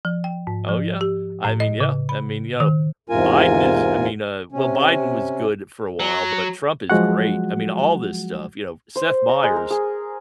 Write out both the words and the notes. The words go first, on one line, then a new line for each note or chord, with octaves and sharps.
Oh, yeah. I mean, yeah, I mean, you know, Biden is I mean, uh, well, Biden was good for a while, but, Trump is great. I mean, all this stuff, you know, Seth Meyers,
F3
G5
G#2
F3
G4
A2
D#5
C#3
B5
D#3
E2 G#2 C3 F4 A#4 G#5
C3 C#4
F#3
F3 F#3 G#3 F#4 F#5
C5
A#5
G#3
A#4
G#4